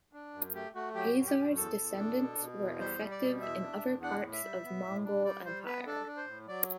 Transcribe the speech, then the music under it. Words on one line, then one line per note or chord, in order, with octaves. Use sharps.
Hasar's descendants were effective in other parts of Mongol Empire.
D4
F#2
A3 G4
A3 F#4
F#3 G4
F#2
G4
F#2
E2 A4
E2
D4
B2
B2
E2
G3 C5
G3
D5
B2
E2 E5
D4
E2
D4 F#5
A2
E5
G3
B3
A2
D4
G3 D5
G3 C5
B3 B4
D4 A4
D4
C5
A2
F#3 D5